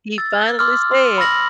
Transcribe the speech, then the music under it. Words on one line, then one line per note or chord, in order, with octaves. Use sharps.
He finally said,
E6 A6
C6 D6 E6 F6
C6
B5 E6 F6 A#6 F#7